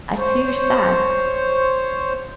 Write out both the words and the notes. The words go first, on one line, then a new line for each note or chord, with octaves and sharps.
I see you're sad....
C5 C#5